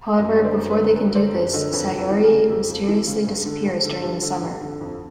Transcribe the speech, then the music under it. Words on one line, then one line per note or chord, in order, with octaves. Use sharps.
However, before they can do this, Sayuri mysteriously disappears during the summer.
F#2 D#5
E5
D3 C#5 D#5
C5 D5
F#2
B4 C#5
D3
F#2 B4 C#5
D3 C5 D5
F#2 B4 C#5
D3 C#5 D#5
F2 B4 C#5
F2
A4 B4
E3
G#4 A#4
C#3
F2 G4 A4
F2
E3
C#3
G2
D3
G2
D3
G2 G4 A4
D3
G2
D3
F2